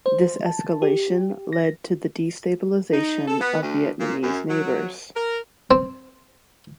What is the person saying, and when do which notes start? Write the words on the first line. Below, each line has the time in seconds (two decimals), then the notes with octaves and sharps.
This escalation led to the destabilisation of Vietnamese neighbours.
0.06 C5
0.46 A5
0.82 G4
1.53 A#6
2.93 D#4
3.28 A4
3.41 B3
3.62 D2
4.00 A#2
4.23 F#2
4.50 F#3
5.16 A#4
5.71 C4